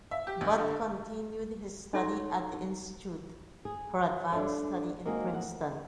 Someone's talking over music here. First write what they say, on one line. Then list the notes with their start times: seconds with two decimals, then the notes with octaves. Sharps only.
Bott continued his study at the Institute for Advanced Study in Princeton.
0.11 E5
0.27 G4
0.41 D2
0.58 D3
1.93 D#4 A4 C#5 E5 C6
3.65 G#4
4.32 D4 A4 C#5 E5
5.05 G#3 A#3 C4 D#4 F#4 G#4
5.33 D2 F#5